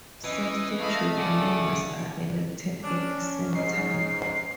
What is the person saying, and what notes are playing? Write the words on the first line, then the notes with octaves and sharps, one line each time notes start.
Substitute members are elected at the same time.
E3 C#4 D#5
A3 D#5 F5 B5
C#3 D5 F#5
C#4 D4
G#2 D#4 C7